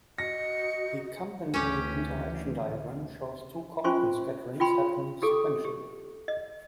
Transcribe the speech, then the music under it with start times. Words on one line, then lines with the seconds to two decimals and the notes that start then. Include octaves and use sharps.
The accompanying interaction diagram shows two Compton scatterings happening sequentially.
0.18 F#4 D#5 A#6 C#7
1.54 D2 E3 C#4 G4
3.84 C#4 F4 C5 G#5 C6 C#6
4.60 F4 G5 B5 C6
5.22 F#4 G4 A4 D6
5.65 G4
6.28 D#5